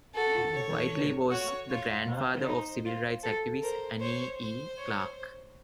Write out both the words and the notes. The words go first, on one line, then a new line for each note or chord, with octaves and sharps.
Whitely was the grandfather of civil rights activist, Annie E. Clark.
F#4 A4
C#5
F#4 C#5
F4 C#5
C5
D#4
F4
A4
A#4 C5
C5 C#5
C5
C#5